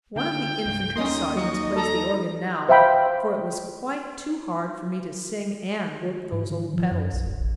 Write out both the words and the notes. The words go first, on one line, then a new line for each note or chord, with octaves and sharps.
One of the infantry sergeants plays the organ now, for it was quite too hard for me to sing and work those old pedals.
D3 A#3 D4 G5
C2 G2
D#2 A#3 C#4 D#4 C6 D#6
F#3 D#4 D#5 C#6
A4 A#5
C5 E5 F5 G5 B5
G#2
D#3
F3
F#2
B1
D#1
A1